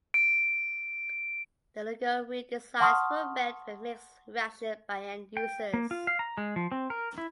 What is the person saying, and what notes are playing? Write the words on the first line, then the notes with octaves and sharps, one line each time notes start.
The logo redesigns were met with mixed reactions by end users.
D7
F#5 A5 C6 C#6 D#6 F6
G5
A#3
F4
F5
A#5
G#3
F3
C4
A#4
E4